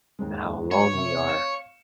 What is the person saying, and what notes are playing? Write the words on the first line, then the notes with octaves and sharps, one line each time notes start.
how alone we are.
D#2 G#2 G#3
F#3 G#3 C#5
F1 E5
F5 C#7 E7